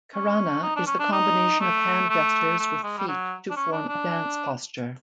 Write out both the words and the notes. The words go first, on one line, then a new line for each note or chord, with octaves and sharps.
Karana is the combination of hand gestures with feet to form a dance posture.
C#4
D#4
D4
C#4
D4
D#4
A3
A3
A3
G#3
G3
F#3
D4
C#4
D4
D4